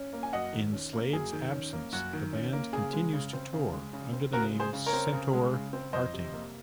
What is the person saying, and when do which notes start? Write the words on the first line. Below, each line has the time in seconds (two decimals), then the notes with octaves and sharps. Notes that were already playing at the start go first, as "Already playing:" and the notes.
In Slade's absence, the band continues to tour under the name Centaur Parting.
Already playing: C#4
0.13 A#3
0.23 G#5
0.33 F#2 D#5 F#5
0.53 D#3
0.73 C#4
0.93 A#3
1.13 F#2 G#4
1.33 D#3
1.53 C#4
1.73 A#3
1.92 F#2 F#4
2.13 D#3
2.33 C#4
2.53 A#3
2.73 C#3 G#4
2.93 G#3
3.13 C#3
3.33 C4
3.53 C#3
3.73 G#3
3.93 C#3
4.13 C4
4.33 C#3 F#4 A#4
4.53 G#3
4.60 G#4 C5
4.73 C#3
4.86 A#4 C#5
4.93 C4
5.13 C#3
5.33 G#3
5.53 C#3
5.73 C4
5.93 F2 C5 D#5
6.13 C3
6.33 A#3